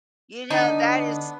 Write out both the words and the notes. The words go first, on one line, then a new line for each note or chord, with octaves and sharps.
You know, that is
D3 B3 D4 D#4 B4